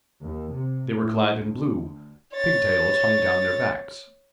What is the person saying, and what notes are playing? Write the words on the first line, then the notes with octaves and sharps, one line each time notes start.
They were clad in blue. Pigtails hung down their backs.
D#2
C3
A2
D2
C#5 A6